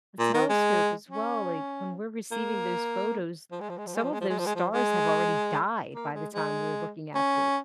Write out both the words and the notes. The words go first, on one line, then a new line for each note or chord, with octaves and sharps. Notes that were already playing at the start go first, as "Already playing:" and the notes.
the telescope as well, like, when we're receiving those photos, some of those stars have already died by the time we're looking at those.
A#2
D#3
G#3
C#4
A#3
F3
G#3
F3
G#3
F3
G#3
F3
G#3
F3
G#3
F3
G#3
F3
G#3
A#3
G#3
G#3
C#4